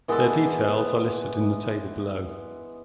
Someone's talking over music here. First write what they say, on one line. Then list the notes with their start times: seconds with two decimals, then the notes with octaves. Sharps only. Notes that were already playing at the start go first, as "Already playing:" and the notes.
Their details are listed in the table below.
0.09 A#2 E3 G#3 B3 A4